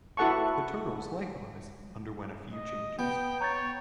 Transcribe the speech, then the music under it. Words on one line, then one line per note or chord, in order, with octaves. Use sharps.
The Turtles, likewise, underwent a few changes.
E4 F#4 A4 F#5 A5 C#6
D#5
B3 G5
C#5 A#5 G6 A6